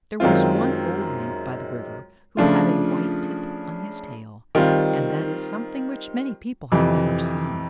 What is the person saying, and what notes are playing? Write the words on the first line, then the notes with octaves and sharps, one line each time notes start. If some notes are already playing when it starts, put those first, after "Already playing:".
There was one old Mink by the river who had a white tip on his tail, and that is something which many people have never seen.
F#2 D#3 G#3 C4 F4
C#3 F3 A3 D4 F4
D#3 G3 C4 F4
F2 C3 E3